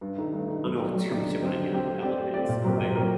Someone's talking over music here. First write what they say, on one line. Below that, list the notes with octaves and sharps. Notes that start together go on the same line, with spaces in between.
I don't know too much about el elephants, but
G2
D#3 A3 D#4
G2
D#3 A3 D#4
F#3
A3 D#4 G4 D5
F#3
A3 D#4 G4 D5
D3
F#3 C4 G4
D3
F#3 C4 G4
A3
C4 G4 D5
A3
C4 G4 D5
A#2
F#3 C4 G4 A#4
A#2
F#3 C4 G4 A#4